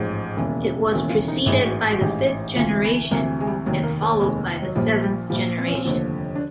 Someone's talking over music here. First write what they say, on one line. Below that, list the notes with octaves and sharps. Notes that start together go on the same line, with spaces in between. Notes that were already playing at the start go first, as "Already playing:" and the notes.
It was preceded by the Fifth Generation, and followed by the Seventh Generation.
Already playing: A1 G#2 F3
E1 D#2 C#3 E3
E1 D#2 C#3 E3 F#4
F4
D#4
A1 G#2 E3 E4
F#4
F#4
A1 G#2 E3 G4
D2 C3 E3 F4
B3
D2 C3 E3 A#3
G#3
G3
F1 D#2 D#3 F#3
A#3
A#3
F1 D#2 D#3 G#3
F#3
A#1 A#2 F3 G3
G3
A#1 A#2 F3 G3
C4
C#4
C4
F1 D#2 D3 F3
D4